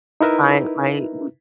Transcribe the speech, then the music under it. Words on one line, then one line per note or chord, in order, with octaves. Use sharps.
my my we
D#4 E4 A#4 B4 E5